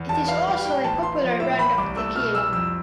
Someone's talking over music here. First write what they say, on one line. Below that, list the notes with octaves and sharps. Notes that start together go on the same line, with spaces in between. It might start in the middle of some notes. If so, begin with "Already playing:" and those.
It is also a popular brand of tequila.
Already playing: E2
E1 A5
B3 F5
G3 F5
A2 G5
A1 A5
B3 C6
F3
A2 E5
A1 B5
C2 D6
A3 E6
B2 F6
C2 E6
F2 E6